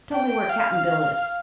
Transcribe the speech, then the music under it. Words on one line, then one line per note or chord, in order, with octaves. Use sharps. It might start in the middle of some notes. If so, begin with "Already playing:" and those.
"Tell me where Cap'n Bill is."
G5
F5